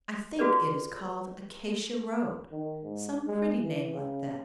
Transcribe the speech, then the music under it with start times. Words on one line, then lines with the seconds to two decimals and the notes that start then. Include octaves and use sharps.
I think it is called Acacia Road; some pretty name like that.
0.39 F4 F#4 G#4 A4 B4 D5
2.52 D#3
2.84 G#2
3.27 G#3
3.58 E3
3.94 C#3